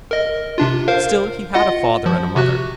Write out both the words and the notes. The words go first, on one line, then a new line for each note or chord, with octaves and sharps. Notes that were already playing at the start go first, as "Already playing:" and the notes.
Still, he had a father and a mother.
A#4 D#5
C3 D4 F4
A#4 C5 F5
F4 D#5 F#5
F3
C3 F#4 F#6